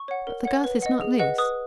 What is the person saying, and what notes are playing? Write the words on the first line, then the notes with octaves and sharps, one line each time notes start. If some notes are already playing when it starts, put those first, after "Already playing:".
"But the girth is not loose."
Already playing: C#6
C#5 F#5
A#4
C#5 F#5
B4
D#5 F#5
G#4
B4 D#5 F#5
B4 D#6